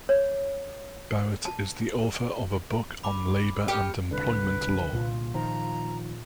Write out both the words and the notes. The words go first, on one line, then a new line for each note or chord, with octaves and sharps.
Barrett is the author of a book on labor and employment law.
C#5
A5
B5 D6
G4 F6 G6 C#7
C2 D3 B4
A#2 F4
D#3 F3 A#5